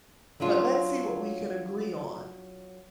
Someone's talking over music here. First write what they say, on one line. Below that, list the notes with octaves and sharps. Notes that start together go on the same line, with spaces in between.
but let's see what we can agree on,
F#3 C#4 D4 F4